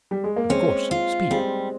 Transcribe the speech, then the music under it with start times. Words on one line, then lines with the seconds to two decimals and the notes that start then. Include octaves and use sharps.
"Of course, speak."
0.11 G3
0.24 G#3
0.36 A#3
0.50 G#3 C4 C#4
0.91 F4
1.31 G3 G#3 C4